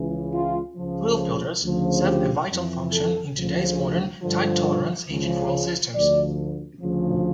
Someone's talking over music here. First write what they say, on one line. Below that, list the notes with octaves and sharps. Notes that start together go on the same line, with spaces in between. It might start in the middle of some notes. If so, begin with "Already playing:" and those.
Fuel filters serve a vital function in today's modern, tight-tolerance engine fuel systems.
Already playing: C#2 C#3 E3
F4
C#2 C#3 F3
D2 C#3 F3
G4
F2 E3
A4
D2 C#3 F3
G2 D3 F3
C#2 C#3 F3
D2 D3 F3 D5
D2 C#3 F3